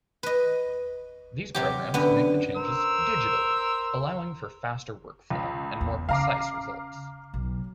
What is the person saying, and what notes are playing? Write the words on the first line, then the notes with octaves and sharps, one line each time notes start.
These programs make the changes digitally, allowing for faster workflow and more precise results.
B4 D#5
C3 F#3 G4
F#2 D3 B3
A#4 C5 E6
C#2
E2
C#3 F5 A#5 D6
B1